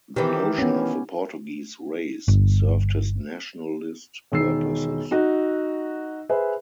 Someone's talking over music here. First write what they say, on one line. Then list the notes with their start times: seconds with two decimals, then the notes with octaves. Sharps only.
The notion of a Portuguese "race" served his nationalist purposes.
0.16 D#3 E3 G4
0.58 B3 C#4
2.28 G1
4.32 E1 D#3 E6 C7
5.11 D#4 F#4
6.29 G#4 B4 C5 E5